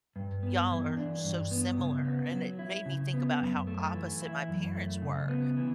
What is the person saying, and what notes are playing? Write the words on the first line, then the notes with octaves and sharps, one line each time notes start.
y'all are so similar, and it made me think about how opposite my parents were,
G2
B3
E3
D4
G2
B3
C#3
B3
F#3
E4
C#3
B3
F#2
A3
E3
E4
F#2
A3
C#3
B3
E3